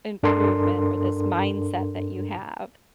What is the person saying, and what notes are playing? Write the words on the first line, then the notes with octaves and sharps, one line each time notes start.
improvement, or this mindset that you have,
G2 D4 A4 A#4 C6